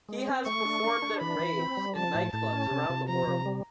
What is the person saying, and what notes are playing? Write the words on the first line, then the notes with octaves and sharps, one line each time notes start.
He has performed at raves and nightclubs around the world.
G#3
C4
A3 C#6
D4
D4
D4
E3 B5
E3
C4
G3
F3 A5
A2
A2 A5
C#4
C3
C3
F3 A#5
C3
G3